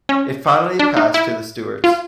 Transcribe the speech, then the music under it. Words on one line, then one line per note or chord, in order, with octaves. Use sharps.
It finally passed to the Stewarts.
C#4
D4
D#4
E4
F4